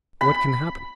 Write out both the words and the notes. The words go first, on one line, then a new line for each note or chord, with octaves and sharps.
"What can happen?"
B5